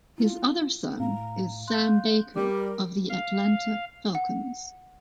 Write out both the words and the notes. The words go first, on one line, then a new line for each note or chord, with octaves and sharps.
His other son is Sam Baker of the Atlanta Falcons.
E4 F4
A2 F5 A#5
F5 C6 F#6 G6
G3 A#4 D6
F5
F#5